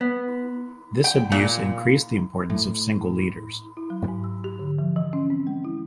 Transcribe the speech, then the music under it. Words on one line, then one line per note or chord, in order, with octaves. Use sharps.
This abuse increased the importance of single leaders.
B3
G5
A#2
A2
E4
F#3
G#2
E6
G4
D3
F3
E3
C#4
C4
G#3
E4